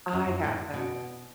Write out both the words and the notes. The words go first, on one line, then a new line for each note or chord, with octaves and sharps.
I gotcha.
F#2
A2
B2